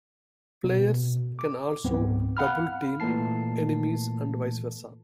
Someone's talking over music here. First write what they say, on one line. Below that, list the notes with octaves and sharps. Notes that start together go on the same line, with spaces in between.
Players can also double-team enemies and vice versa.
B2
D6
C#2 G#2 F#3 B3 C4
F5 F#5 B5 F6
A#2 E3 A3 A#3 A5 C7